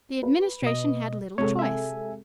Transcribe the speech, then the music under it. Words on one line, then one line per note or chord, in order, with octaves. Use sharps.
The Administration had little choice.
B4
B2 D#5
C3 G#3 A4 C#5
E5 G#5